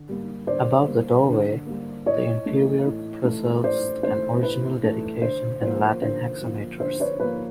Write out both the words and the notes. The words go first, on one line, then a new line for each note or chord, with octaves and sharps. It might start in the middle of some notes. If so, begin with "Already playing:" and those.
Above the doorway, the interior preserves an original dedication in Latin hexameters.
Already playing: D3
G3 A#3
D3 C5 D5
G3 A#3
D3
G3 A#3
A2 C#5 D#5
E3 A3
A2
E3 A3
A2 C5 D5
E3 C5
A3
A2 B4
E3 A3
D3 C5
F3 A#3 C5
D3 C5
F3 A#3
D3 C5
B4 C#5
F3 A#3 B4